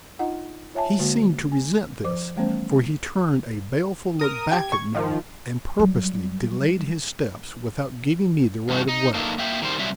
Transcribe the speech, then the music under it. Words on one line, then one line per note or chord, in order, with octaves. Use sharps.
He seemed to resent this, for he turned a baleful look back at me and purposely delayed his steps without giving me the right of way.
D4 D#4 F4 D#5 F#5 A#5
F4 C#5 E5 G#5 A5
D3 G#3 A#3 F#4
G#5
F3 C5 D6
E3 G3 A3 B3 C#4 C5
A#4 D#6
G4 G5 G#6
C#6
D#3 F3
F#3 G3
E2 G2 A3 F#4
D#4
A3 A#3 D4 D#4 A4
A#3 E5 G5
D#3 G3 C5
C3 F#3 G3 E5